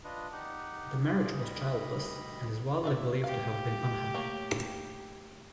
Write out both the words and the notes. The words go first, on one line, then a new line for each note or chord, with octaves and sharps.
The marriage was childless, and is widely believed to have been unhappy.
D4 F4 B4 D#5
D#4 G4 F#5
F4 G#4 D5
D2 G3 D#5 B5
F4 D5 E5
A3 G4 F5
A#3 C#5 G5